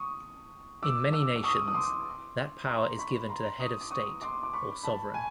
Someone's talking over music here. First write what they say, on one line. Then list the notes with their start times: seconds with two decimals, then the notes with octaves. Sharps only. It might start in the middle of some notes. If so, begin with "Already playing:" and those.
In many nations, that power is given to the head of state or sovereign.
Already playing: C#6 D#6
0.83 D6 E6
1.12 D6 E6
1.36 D6
1.44 C#6 D#6
1.68 D#6
1.74 C6 D6
2.67 A#5 C6
2.99 B5 C#6
3.29 A#5 C6
3.60 C#6 D#6
3.81 D6
3.91 C#6 D#6
4.22 C6 D6
4.43 D6
4.53 B5 C#6
4.83 A5 B5
5.14 G#5